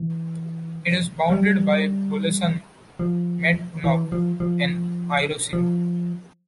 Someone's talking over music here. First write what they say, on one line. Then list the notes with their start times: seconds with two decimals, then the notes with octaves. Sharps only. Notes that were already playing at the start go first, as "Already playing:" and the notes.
It is bounded by Bulusan, Matnog and Irosin.
Already playing: E3
1.30 G3
2.99 F3
3.84 E3
4.12 F3
4.40 F3
5.53 F3